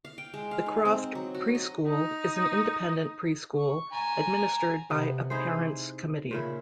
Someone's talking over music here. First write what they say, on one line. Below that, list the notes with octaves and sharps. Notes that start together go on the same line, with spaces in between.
The Croft Pre-School is an independent pre-school administered by a parents' committee.
F5
G5
G#3
F5
D#4
C4
F#3
F#4
D#5
D#4
C#6
G#5 A#5
C3 B3
D#4 E4 G#4 C5
A#2 C#3 E4